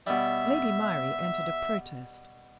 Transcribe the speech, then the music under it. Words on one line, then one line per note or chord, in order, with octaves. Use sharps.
Lady Myrie entered a protest.
B2 G3 E5